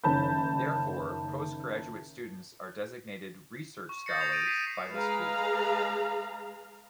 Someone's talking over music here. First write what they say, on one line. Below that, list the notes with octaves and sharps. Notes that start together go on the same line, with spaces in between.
Therefore, postgraduate students are designated "Research Scholars" by the school.
F#1 D#3 C#4 A5 B5 G6
C#6
D#6 G6 A6 A#6 C7 C#7
D#6 G6 A#6 C7 F7
A#6 D7 D#7
B6 C7 D#7 E7
G#3 G#4 B4 F5 A#5